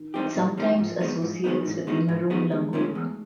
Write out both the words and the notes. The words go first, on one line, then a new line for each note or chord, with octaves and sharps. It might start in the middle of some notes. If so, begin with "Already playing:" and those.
It sometimes associates with the maroon langur.
Already playing: D#3
E3 G3 C4 D#4 G4
A#2 E3
G3 C4 D#4 G4
G#2 F3
D#3 G#3 B3 D#4
G#2 F3
D#3 G#3 B3 D#4
G#2 E3
D#3 G#3 B3 D#4
G#2 F3
D#3 G3 G#3 B3 D#4
E2 G#3
C3 F3 A3 A#3 C#4
E2